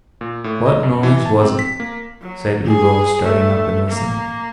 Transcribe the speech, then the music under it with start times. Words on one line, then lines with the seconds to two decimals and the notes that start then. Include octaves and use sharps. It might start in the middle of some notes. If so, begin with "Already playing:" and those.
'What noise was it?' said Ugo, starting up and listening.
0.21 A#2
0.44 A2
0.66 D#5
0.83 F#2
1.03 E3
1.26 A5
1.43 C4
1.59 B6
1.80 A#3
2.21 F#3
2.64 G#4
3.23 A3
3.88 A#3